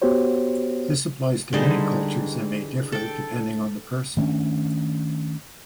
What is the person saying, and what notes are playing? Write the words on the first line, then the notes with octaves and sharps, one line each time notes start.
This applies to many cultures and may differ depending on the person.
B3 F#4 G4 C5 C#5
D3 E3 G3 G#3 D#4 C5
A4 G5
D#3 A3 C#4 D4